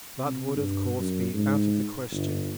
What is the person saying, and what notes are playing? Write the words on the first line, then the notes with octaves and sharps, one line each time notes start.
That would, of course, be out of the question.
C3
G2
F#2
G#2
G1